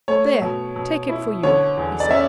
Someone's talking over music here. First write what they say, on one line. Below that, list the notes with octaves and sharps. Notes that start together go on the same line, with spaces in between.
"There, take it for you," he said.
A3 C#5
B2
B2
E4
D3 C#5
E2
D5
C#4 E5